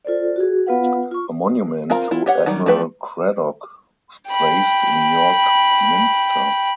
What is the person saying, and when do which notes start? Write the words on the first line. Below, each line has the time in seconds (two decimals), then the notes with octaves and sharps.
A monument to Admiral Cradock was placed in York Minster.
0.05 F4 A4 C5 D5
0.36 F#4 G#4
0.67 B3 F4 B4 F5 F#5
1.11 F4 C#6
1.90 C4 F4 A#4 F5 A#5
2.11 E4 F4
2.26 G4 C#5 F#5
2.46 D#3 F#3 G3
2.66 F3 A3 B4 G5
4.28 G5 B5